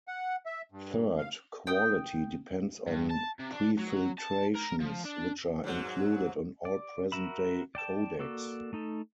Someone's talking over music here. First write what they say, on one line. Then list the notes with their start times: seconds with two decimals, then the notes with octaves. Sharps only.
Third, quality depends on prefiltrations, which are included on all present-day codecs.
0.08 F#5
0.46 E5
0.72 G2
1.18 F5
1.67 G5 D#6 G6
2.87 G2
3.10 A5
3.39 C3
3.52 D4
3.78 F#3
4.18 A5
4.55 A#4
4.80 F3
5.05 D4
5.64 G#2 F#3
6.65 D5
7.12 F#4 A#4 E5 B5
7.75 D5 G5 A5
8.19 A#3 F#4 A4 D5
8.73 A3 D#4 A4